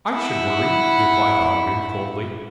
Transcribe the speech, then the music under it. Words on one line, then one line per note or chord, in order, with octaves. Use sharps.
"I should worry!" replied Ogden coldly.
E4 F#5